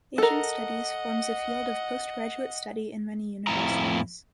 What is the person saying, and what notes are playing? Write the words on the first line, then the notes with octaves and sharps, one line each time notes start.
Asian studies forms a field of post-graduate study in many universities.
A4 A#4 D#5 F#5
F2 A2 E4 A#5